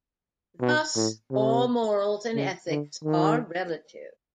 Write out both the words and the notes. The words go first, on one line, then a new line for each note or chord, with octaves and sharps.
Thus all morals and ethics are relative.
B2
A2
C3
C#3
D3
D#3